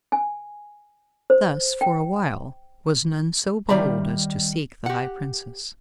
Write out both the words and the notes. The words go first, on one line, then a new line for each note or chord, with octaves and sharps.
Thus, for a while, was none so bold as to seek the high Princess.
G#5
C5
G5
D#3 G3 D5 E5 A#5
G4 F#5